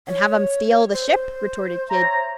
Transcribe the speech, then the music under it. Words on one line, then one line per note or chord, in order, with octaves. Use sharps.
"And have them steal the ship!" retorted Kidd.
C#5
C5
C#5 E5 A#5